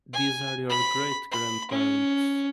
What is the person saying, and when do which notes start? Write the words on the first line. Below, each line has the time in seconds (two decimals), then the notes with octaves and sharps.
These are your great grandparents.
0.13 G#5
0.70 B5
1.32 B5
1.71 C#4